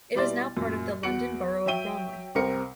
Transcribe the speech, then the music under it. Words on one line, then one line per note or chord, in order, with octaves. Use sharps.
It is now part of the London Borough of Bromley.
B2 G3 E4 D5 C6 A6
F#2 A#2
E2 F#4 C#7 D7 F#7
F#3 C#5 E5 G5 D#7 G7
C2 C3 C4 A#4 C#7